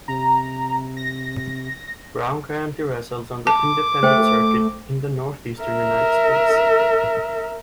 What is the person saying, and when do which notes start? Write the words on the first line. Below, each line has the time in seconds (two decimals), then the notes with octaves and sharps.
Brown currently wrestles on the Independent circuit in the Northeastern United States.
0.08 C3 A#5
0.97 A#6
3.47 A5 D6
4.03 A3 C5 G5
5.62 A#4 E5